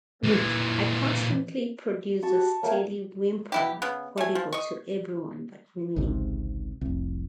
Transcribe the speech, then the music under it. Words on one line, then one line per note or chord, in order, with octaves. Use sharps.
I constantly produce a steady whimper audible to everyone but me.
A#2 E3
F#4 G4 A5 C#6
A3 A#3 C#5 G5 A5
B2 E4 G4
C#3 B3
A3 G#5
F3
D#5 C#6
G#1 C#2 G#2 C3
F1 C2